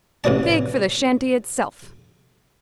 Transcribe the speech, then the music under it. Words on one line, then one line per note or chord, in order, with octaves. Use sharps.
A fig for the shanty itself!
A1 C3 E3 F#3 D4 A5